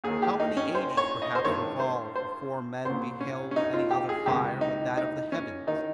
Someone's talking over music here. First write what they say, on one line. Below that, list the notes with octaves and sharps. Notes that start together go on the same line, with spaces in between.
How many ages perhaps revolved, before men beheld any other fire but that of the heavens?
D#2 D#3 G#4
G4
D#4
C#4
C5
C#5
D#5
C5
G#1 G2 D#3 C#5
C5
C5
C2 A#2 C5
C#4
C#4
D#4
F4
G4
G#4
C#2 C3 D#3 G4
D#4
D#4
C#4
D#3 D#4